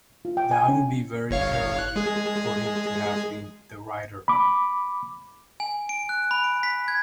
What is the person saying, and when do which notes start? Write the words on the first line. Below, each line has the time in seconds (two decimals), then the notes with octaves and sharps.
That would be very early for him to have been the writer.
0.25 F4
0.37 G5
0.51 G#5
0.68 C#4
1.31 G1 C#5 F5
1.79 F#6
1.96 G#3 G#4
4.28 B5 D6
5.60 G#5
5.89 D7
6.09 F#6
6.31 B5
6.44 D7
6.63 B6
6.88 G#6